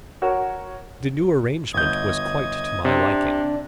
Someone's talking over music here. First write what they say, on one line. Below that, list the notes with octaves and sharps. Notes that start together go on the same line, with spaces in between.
The new arrangement was quite to my liking.
F#4 A#4 C#5
G1 D#5 G6 G#6
C3 D4